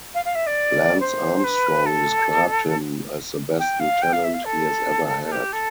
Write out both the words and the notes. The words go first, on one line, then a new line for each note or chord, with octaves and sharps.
Lance Armstrong described him as the best lieutenant he has ever had.
F5
F5
E5
D5
C5
B4
A4
G5
F5
G5
F5
E5
F5
A4
G4
A4